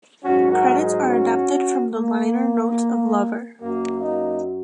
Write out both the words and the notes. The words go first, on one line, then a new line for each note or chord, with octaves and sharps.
Credits are adapted from the liner notes of "Lover".
G#2 F#3 C#4 F#4
F#4 A#4
D#4 G#4
C#4 F#4
A#3
F#2 F#3 A#3
A#3 D#4